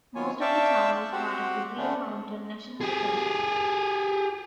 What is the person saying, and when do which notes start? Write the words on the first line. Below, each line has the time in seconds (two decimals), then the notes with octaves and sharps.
Most of the town is part of the Green Mountain National Forest.
0.15 D#3 F#3 F4 C#5 G#5
0.41 D5 E5 F5 G5 A5 C#6
1.13 C4 F#4 G4 C5 F#5
1.77 D3 A3 B3 C#4 D4
2.81 G4 G#4